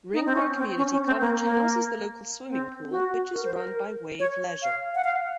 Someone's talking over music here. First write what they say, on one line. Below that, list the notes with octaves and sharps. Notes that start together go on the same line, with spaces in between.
Ringmer Community College houses the local swimming pool which is run by Wave Leisure.
D#4
C4
C#4
C4
C#4
C#4
C4
A#3
A#3
C4
F#4
A#4
C5
A#4
C#5
F5
F#5
F5